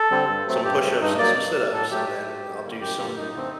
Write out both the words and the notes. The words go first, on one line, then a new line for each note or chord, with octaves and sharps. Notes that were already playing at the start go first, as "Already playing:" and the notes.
some push-ups and some sit-ups, and then, I'll do some
Already playing: A4
D3 G3 C4
G2
F#3 A3 C4
G2 G4
F#3 A3 C4
G2 D#4
F#3 A#3 D5
G2
F#3 A#3
A2 A4
F#3 A3 G4
A2
F#3 A3
F#2
D3 G3 A#3
F#2 G4
D3 G3 A#3
F#2 D#4
D3 A3 C4